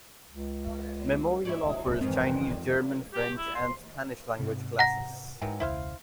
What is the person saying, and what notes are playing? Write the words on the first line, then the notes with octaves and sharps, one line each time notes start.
Memorial offers Chinese, German, French and Spanish language classes.
C#2
E4 C#5 D5
F2 G#2 D#3 E3 C4
G4
E4
C6
G#2 C3
F#5 A#5 A#6
G#2 D#3 E3 F#3
E1 C#2 E4 C5 F5